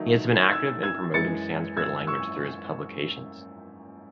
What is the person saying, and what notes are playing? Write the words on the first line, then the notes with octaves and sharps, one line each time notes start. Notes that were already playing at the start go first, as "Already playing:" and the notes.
He has been active in promoting Sanskrit language through his publications.
Already playing: D#3 F#3 A3 D#4
A6
E6 G#6
E6 G#6
F#2 E3 G#3 A6 C#7
E6 G#6
C#6 E6